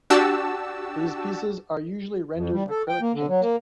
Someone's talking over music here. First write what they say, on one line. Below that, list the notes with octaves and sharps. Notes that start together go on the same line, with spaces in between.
These pieces are usually rendered in acrylic paint.
D4 F#4 G4 A5 E6
F2
G3
A4
G5
A#3
D3
F#3
A#3